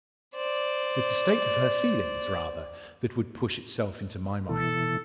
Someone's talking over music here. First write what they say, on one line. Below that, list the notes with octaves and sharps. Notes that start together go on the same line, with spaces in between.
It was the state of her feelings rather that would push itself into my mind.
C5 D5
B2 E3 A4